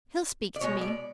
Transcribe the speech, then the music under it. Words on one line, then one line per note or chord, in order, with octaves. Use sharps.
He'll speak to me.
D5
B2 G#3 C#5
D5